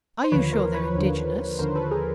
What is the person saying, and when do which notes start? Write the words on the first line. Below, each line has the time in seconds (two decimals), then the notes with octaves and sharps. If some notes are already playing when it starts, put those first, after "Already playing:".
"Are you sure they're indigenous?"
0.24 C5
0.32 D#2 D3 F3 B4 C#5
0.53 A#4 C5
0.74 B4 C#5
0.95 D#2 D3 F3
1.59 D#2 D3 F3 A#4 C5
1.75 A4 B4
1.91 G#4 A#4